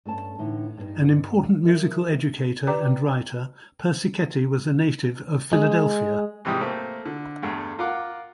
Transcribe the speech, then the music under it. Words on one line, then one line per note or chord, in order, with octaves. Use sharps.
An important musical educator and writer, Persichetti was a native of Philadelphia.
G2 A3 C#4 A5
A2 D3 E3 D#4
G2 B3 D#4
F3 E4 A#4 E5
G4 B4 D5 G5 A#5 D6
G#3
G#2 C3 E3 G3 G5 D#6
A3 A#3 C4
D3
E2 G2 A3
F4 A#4 F5 F#5 D6